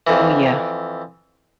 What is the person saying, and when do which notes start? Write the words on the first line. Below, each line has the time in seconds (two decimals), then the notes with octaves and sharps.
Oh, yeah.
0.07 F2 E3